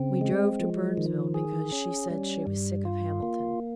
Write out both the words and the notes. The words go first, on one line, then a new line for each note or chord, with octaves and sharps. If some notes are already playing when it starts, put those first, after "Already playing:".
We drove to Burnsville because she said she was sick of Hamilton.
Already playing: C#3 C4
G#3
F3
D#3
G#4
C#4
G3
G2
F4
A#3